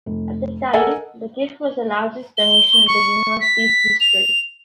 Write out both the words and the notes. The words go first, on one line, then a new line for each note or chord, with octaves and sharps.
At the time, the gift was the largest donation in the university's history.
F1
A4 A#4 D#5 F#5 G#5
G7
C#6
B6
F7